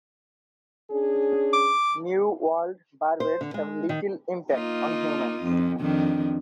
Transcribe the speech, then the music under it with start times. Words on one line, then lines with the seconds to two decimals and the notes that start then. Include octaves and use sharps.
New World barbets have little impact on humans.
0.91 C#4 D4 G#4
1.53 D6
3.20 C5
3.41 D3
3.54 G#3
3.89 D#3
4.51 A#3 D#4 F4
5.43 F2
5.80 F2 D#3 D4